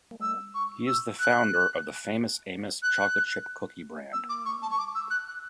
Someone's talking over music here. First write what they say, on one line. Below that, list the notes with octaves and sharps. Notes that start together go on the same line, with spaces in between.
He is the founder of the "Famous Amos" chocolate chip cookie brand.
E6
C#6
E6
F#6
F#6
E6
D6
C#6
A5
C#6
D6
E6
F#6
F#6